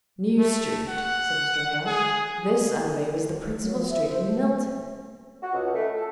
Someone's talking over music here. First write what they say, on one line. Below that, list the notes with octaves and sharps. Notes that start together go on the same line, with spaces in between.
'New Street,' said Mr. Hale. 'This, I believe, is the principal street in Milton.
A3
F#5
G#4
F#3
F3
E5
C5
A3
F#4
C#2
A3
A4